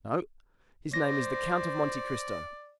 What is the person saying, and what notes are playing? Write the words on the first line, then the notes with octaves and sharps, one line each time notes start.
"No, his name is the Count of Monte Cristo."
C5 D5 A#6